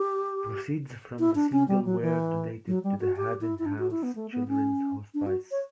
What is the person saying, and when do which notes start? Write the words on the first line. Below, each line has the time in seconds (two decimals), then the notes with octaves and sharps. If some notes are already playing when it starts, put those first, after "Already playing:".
Proceeds from the single were donated to the Haven House Children's Hospice.
Already playing: G4
1.19 E4
1.35 D4
1.52 C#4
1.68 G3
1.85 F#3
2.01 E3
2.67 F#3
2.84 G3
3.00 F#4
3.17 G4
3.41 E4
3.59 E4
3.66 D4
3.79 F#4
3.91 E4
4.03 B3
4.15 A3
4.32 B3
4.48 C#4
5.14 D4
5.26 F#4
5.51 C#5